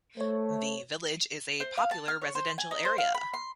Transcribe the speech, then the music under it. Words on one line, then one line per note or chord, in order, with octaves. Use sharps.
The village is a popular residential area.
A3 C5 C#5
C5
F5
A5
F6
C#5
C5
G#5
D#4
C5
F5
B5
C6